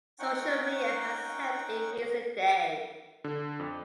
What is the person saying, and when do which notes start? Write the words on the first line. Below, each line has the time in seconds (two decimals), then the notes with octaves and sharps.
Social media has helped in recent days.
0.19 C#4 D#4 F#5 G5 C#6
3.24 D3
3.59 F2